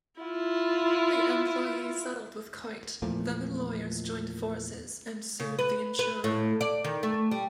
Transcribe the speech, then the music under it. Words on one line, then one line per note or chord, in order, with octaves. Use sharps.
The employee settled with Coit; then their lawyers joined forces and sued the insurer.
E4 F4
E2 A#2 F3 A3
C#3
B4
B4
A2
D5
D#3
A3
G3